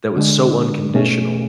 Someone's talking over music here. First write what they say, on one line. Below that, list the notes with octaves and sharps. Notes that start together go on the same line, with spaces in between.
that was so unconditional
D3 G#3 D4
B2 A3 C#4 G#4